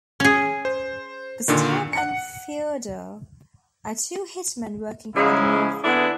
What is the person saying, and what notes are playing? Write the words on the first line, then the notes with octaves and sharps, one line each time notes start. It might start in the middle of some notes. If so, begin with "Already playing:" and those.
Gustav and Feodor are two hitmen working for the Mafia.
C#4 G#4
C5
A#2 D3 D#3
F#5 C#7
G#2 C#3 F3 G#3 C#4 E4
D3 B3 D4 E4 G#4